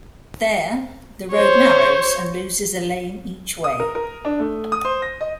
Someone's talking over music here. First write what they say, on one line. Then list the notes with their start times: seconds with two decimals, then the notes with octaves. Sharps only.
There, the road narrows and loses a lane each way.
1.32 C5 C#5
3.64 D#6
3.80 A#4
3.95 A#4
4.25 D4
4.40 A3
4.72 D#6
4.85 C5
5.02 A#6
5.21 D#5